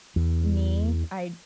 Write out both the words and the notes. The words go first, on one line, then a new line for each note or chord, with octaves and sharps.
me, I'd
E2